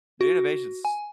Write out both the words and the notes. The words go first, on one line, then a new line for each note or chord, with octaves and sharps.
The innovation's
F#4
G#5